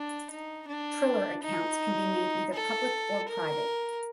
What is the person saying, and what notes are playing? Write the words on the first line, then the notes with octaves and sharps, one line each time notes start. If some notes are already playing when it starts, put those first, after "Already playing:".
Triller accounts can be made either public or private.
Already playing: D4
D#4
D4
D#4
A4
A#4